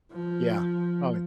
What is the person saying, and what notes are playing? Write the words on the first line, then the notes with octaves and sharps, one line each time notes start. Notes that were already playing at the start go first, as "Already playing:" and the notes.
Yeah, probably.
F3